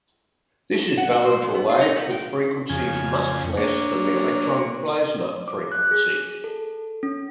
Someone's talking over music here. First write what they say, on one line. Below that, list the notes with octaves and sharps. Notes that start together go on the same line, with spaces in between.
This is valid for waves with frequencies much less than the electron plasma frequency.
F#5
F#4
C5
F2
B3
F4
D#4
B3
G5
F2 C#3 G#5
A#3 D4 C#5
D6
F#6
G#4
A4
C#4